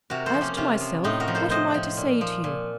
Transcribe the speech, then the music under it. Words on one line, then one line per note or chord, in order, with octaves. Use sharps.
As to myself, what am I to say to you?
C3 F#4 A#4
A4 C5
F3
A#3 C#4
C3 C#4 F4
F3
A2 C4 D#4
F#4 A#4
F3
A4 C5
A2 C5 D#5
F3
A#2
F3
A#2